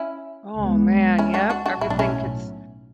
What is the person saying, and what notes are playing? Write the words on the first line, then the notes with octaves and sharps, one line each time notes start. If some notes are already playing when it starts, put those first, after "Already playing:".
Oh man, yep, everything gets
Already playing: C#4 E4
C#2 C#3 G#3 B3
C#4 E4
D4 F#4
D4 F#4
D4 F#4
B1 A2 F#3 E4
D4
C#4 E4